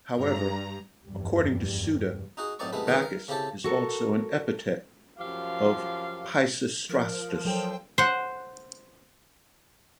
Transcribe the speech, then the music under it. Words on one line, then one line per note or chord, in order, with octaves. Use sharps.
However, according to Suda, Bakis was also an epithet of Peisistratus.
G2 A#5
F1 E2 G2 G3
D#4 F#4 G#4
F#2 A2 C4 D#4 D5 C#6
C3 G#3 A3 B3 E4 B5
D#3 E3 G#3 B3 C4 D#4
A#4
C#3 C4 E4 G4 A4
F#4 A4 A#4
F#2 F3 G4 F5
F3 A#4
F#3 A4 C5 G5
C5 F#5